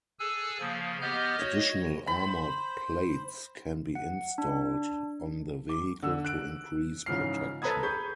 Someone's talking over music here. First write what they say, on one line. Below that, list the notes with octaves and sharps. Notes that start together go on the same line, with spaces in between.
Additional armoured plates can be installed on the vehicle to increase protection.
G#4 A4 G#5 E6 F#6
C#3 F3 A#3
B3 G4 D#5 F6 G6
F#4 C#5 D#5
C5 B5
F#5
D4
D6
D3 E6
F#6 D7
G#2 C#3 E3 F3 F6 C7
A4 B4 A#5 B5 D#6 G#6
G#4 B5 C#6 G6